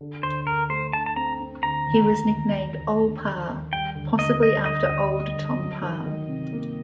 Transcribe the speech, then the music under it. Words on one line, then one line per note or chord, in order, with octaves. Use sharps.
He was nicknamed "Ole Parr", possibly after Old Tom Parr.
D3
D2 C5
D2 A#4
A3 C5
D3 A5
A5
C4 A#5
C4
D2 A#5
D#2
D#2
D#2
D#2
D#2
D3
D#2
D#2
G3 G5
D2
D2 D#5
G3 D#5
D2 D#5
D2
G3
D2
F#3
D#3
D#3
C3
A#3